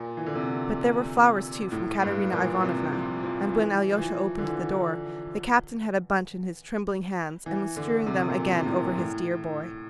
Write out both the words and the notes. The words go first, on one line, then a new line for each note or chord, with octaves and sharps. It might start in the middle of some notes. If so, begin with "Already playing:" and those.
But there were flowers too from Katerina Ivanovna, and when Alyosha opened the door, the captain had a bunch in his trembling hands and was strewing them again over his dear boy.
Already playing: A#2
E3
D3
C3
A2
G2
A#2
C3
F3
F3
E3
F3
E3
D3
E3
E3
D3
C3
A#2
C3
A2
A#2
A2